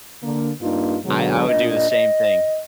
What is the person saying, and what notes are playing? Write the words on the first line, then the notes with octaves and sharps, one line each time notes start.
I I would do the same thing.
D3 A#3
G2 A#3 D#4 F4
B2 D3 F#3 G#3
A#2 D4 D#5
D#5